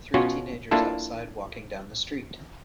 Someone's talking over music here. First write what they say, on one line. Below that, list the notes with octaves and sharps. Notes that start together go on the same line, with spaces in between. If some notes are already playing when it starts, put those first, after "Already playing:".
Three teenagers outside walking down the street.
B2 C#4 F4 F#4
A#3 D4 E4 F4 A4